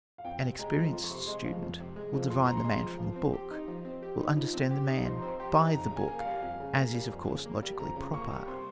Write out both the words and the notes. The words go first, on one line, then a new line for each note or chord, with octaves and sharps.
An experienced student will divine the man from the book, will understand the man by the book, as is, of course, logically proper.
F5
F2 G5
C3
G#3 A#5
F3
F2 C6
C#6
C3 C6
G#3
F3
F2
C3
G#3
F3
F2 C6
C3 A#5
C6
G#3
F3
F3
C4
G4
D#4
F3
C4
G4
D#4
F3
C4
G4
D#4
F3 C6
A#5
C4
C6
G4
D#4
F2 A#5
C#3
G#5
A#3
F5
G3
F2
C#3
A#3
G3
F2
C#3
A#3
G3
F2 A#5
C#3
A#3 C#6
G3
C3 C6